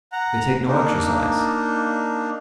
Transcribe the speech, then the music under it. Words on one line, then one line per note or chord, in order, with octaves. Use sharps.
They take no exercise.
F#5 A#5
A#3 D4 D#4